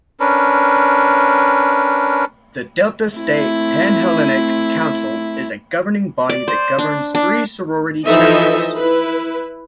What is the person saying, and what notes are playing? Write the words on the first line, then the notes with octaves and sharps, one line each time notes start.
The Delta State Panhellenic Council is a governing body that governs three sorority chapters.
C#4 D4 A#4 B4
A3 C4 E4
D5
C5
D4
D4
E3 F3 D#4 A4 D#5 E5
E4 B4